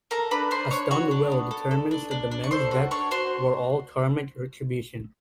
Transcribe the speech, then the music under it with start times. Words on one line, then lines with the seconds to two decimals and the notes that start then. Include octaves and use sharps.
A stunned Will determines that the men's deaths were all karmic retribution.
0.11 A4 A#4 A#5
0.31 D4 B4 B5
0.51 D4 C5 C6
0.71 D4 C#5 C#6
0.91 F#4 C#5 C#6
1.11 D4
1.32 B3
1.51 A4
1.71 A4
1.91 D4
2.11 D4
2.32 D4
2.44 C#6
2.51 A4 C5 C6
2.71 F#4
2.91 D4 C#5 C#6
3.11 F#4 C5 C6